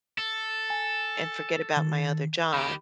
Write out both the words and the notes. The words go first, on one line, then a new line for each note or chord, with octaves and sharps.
and forget about my other job,
A4
G#5
D#3
D#3 G4 B5